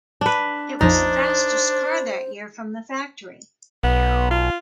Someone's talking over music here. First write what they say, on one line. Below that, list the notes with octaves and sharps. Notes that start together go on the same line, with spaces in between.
It was the fastest car that year from the factory.
D4 B4
A#1 F2 F3 D4 D#4 C5
B1 B3
F4